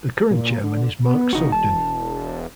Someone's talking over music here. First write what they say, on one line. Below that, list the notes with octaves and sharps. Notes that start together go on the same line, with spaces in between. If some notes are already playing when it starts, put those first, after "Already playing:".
The current chairman is Mark Sugden.
A#2
D3
B3
G#1 C#3 D#4 F#4
E1 A5